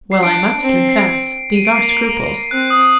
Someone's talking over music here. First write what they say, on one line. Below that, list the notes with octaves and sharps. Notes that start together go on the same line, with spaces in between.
"Well, I must confess, these are scruples."
C7
D4 D7
C4
C7
D7
D#7
D7
A#3 C7
C4 F#6
D#6
D#6